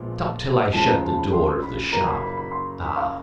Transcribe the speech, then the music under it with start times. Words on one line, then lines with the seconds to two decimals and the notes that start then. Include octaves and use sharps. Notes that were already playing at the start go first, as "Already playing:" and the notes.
Stop till I shut the door of the shop. Ah!
Already playing: A#1 A#2 F3 G#3 B3
0.73 D#2 C#3 F3 G#3 A5
0.89 A#5
1.03 A5
1.19 B5
1.33 C6
1.63 B5
1.92 F#2 C#3 F#3 A#3 A#5
2.07 B5
2.22 B5
2.37 B5
2.52 C6
2.81 B5
2.96 F5